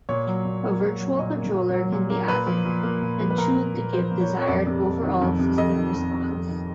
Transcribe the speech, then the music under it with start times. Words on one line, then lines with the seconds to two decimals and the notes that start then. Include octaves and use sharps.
A virtual controller can be added and tuned to give desired overall system response.
0.09 A#2 C#5
0.27 F#3
0.45 A#2
0.64 A#3
0.82 A#2
1.00 F#3
1.19 A#2 D#5
1.36 A#3
1.55 A#2
1.73 F#3
1.92 A#2
2.10 A#3
2.28 A#2 B4
2.47 F3
2.65 A#2
2.83 A#3
3.02 A#2
3.20 F3
3.31 B4
3.38 A#2 A#4
3.56 A#3
3.74 A#2
3.93 F3 C5
4.11 A#2
4.21 C#5
4.29 A#3
4.41 C#5
4.48 F2 D5
4.66 C3
4.85 F2
5.03 D#3
5.21 F2
5.39 C3
5.58 F2 D#5
5.76 D#3
5.95 F2
6.13 C3
6.31 F2
6.49 D#3